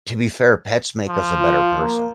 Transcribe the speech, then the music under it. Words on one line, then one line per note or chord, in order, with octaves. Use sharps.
To be fair, pets make us a better person.
F3
F4
A#3